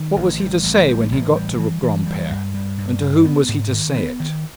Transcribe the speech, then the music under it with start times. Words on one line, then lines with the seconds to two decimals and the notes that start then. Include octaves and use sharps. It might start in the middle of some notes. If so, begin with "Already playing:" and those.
What was he to say when he got to Granpere, and to whom was he to say it?
Already playing: D#3
0.16 A1
0.40 G3
0.64 A1
0.88 G3
1.12 A1
1.36 G3
1.59 E3
1.83 E3
2.06 G3
2.30 G2
2.54 G3
2.78 G2
3.02 G3
3.25 B3
3.49 G#2
3.73 D#3
3.97 B3
4.20 D#3